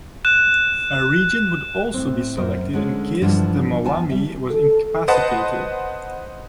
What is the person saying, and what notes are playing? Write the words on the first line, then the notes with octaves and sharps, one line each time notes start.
A regent would also be selected in case the Mwami was incapacitated.
F#6 E7
A2 C4
F#2 A#4 C5
D3 G#3 C#4
G2 D3 E3 F3 D4
E2 F4 G#5 A5
G3 E5
A4
B4 C5 D#5 F#5 A5